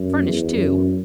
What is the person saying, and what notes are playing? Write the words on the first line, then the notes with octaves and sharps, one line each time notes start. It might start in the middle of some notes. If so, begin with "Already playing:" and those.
Furnished, too.
Already playing: F#2
E2
F#2